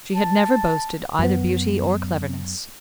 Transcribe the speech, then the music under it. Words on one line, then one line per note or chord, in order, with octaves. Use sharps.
She had never boasted either beauty or cleverness.
A5
F#2 B3